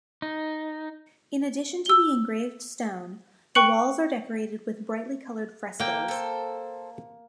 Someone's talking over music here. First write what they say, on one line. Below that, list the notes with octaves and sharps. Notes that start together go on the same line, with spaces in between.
In addition to the engraved stone, the walls are decorated with brightly colored frescoes.
D#4
E6 G7
G5 C#6 F#6 C#7 F#7
D3 A#3 G5
A4 C5